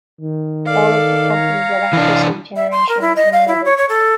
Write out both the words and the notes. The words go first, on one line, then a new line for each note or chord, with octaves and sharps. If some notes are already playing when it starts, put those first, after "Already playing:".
All of the company's electricity generation is renewable.
D#3
A4 D5 F5
C#5 A#5
E3 D4
E5
C6
A#4
E4
D#5
F5
E4
C#5
C#5
A4